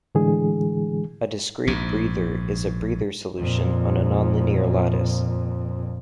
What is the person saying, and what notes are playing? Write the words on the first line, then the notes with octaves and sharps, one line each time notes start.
A discrete breather is a breather solution on a nonlinear lattice.
A2 D3 E3 G#3 G#4
A#1 G#2
F2 A#2